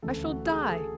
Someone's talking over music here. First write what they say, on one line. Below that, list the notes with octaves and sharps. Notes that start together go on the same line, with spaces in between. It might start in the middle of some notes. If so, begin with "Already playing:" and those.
I shall die!
D2 C#3 E3 A4
F#4
G#4
A4